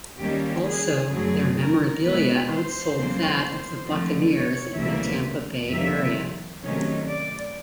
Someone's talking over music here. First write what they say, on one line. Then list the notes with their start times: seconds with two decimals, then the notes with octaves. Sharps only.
Also, their memorabilia outsold that of the Buccaneers in the Tampa Bay area.
0.19 D#2 D#3 G3 A#3 C#4 G4
0.65 G#4
1.11 F#2 D3 F#3 A3 G#4
1.57 A#4
2.03 B2 G#3 B3 B4
2.48 C5
2.95 E2 C#3 F#3 A#3
3.87 F2 D3 F3 A3
4.32 C#5
4.77 D2 C#3 E3 G3 A#3 E5
5.69 F2 C3 D#3 G3 A#3 E5
6.62 C3 D#3 F#3 A3 C#4
7.08 D5